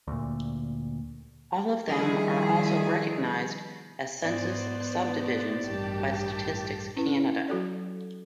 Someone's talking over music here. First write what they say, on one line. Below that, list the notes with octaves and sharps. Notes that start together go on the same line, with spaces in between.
All of them are also recognized as census subdivisions by Statistics Canada.
D2 A#2
D#3 F3 G3 E4 G#4
G#2 B3 C5 D5
A1 G2 D#3 G4 A5
C#4 E4 B4
F#3 F#4 A4 D5